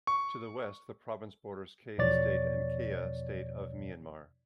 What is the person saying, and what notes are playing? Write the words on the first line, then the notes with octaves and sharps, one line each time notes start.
To the west, the province borders Kayin State and Kayah State of Myanmar.
C#6
E2 B2 F3 C#5 D5 A6